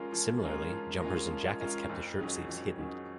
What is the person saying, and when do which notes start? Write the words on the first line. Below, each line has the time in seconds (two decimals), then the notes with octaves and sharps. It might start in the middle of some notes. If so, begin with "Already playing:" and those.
Similarly, jumpers and jackets kept the shirtsleeves hidden.
Already playing: F3 G#3 C#4 F4 A#4
0.12 F3
0.42 G#3 C#4 F4 A#4
0.72 F3
1.01 G#3 C#4 F4 A#4
1.31 F3
1.60 G#3 C#4 F4 A#4
1.89 F2
2.19 D#3 F#3 C#4 G#4
2.49 F2
2.78 D#3 F#3 C#4 G#4